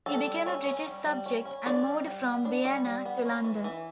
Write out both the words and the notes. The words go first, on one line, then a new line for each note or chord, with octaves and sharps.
He became a British subject and moved from Vienna to London.
G3 A4
G3
C#4
C#4
G3
G3
C#4
C#4
D4 D5
G3
G3
B3
D4
G3
G3
B3
C#4
E3
E3